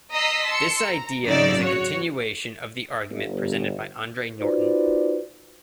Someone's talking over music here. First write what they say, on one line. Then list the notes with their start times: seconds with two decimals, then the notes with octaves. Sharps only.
This idea is a continuation of the argument presented by Andre Norton.
0.13 D#5 A#5 D#6 E6 B6 C7
0.45 A5 C6 E6 C#7
0.85 A#5
1.24 G#1 C#3 F#3 D#4 D5 E6
1.62 F#4 C#5
3.10 G1
4.40 D#4 F4 F#4 B4 C5 D5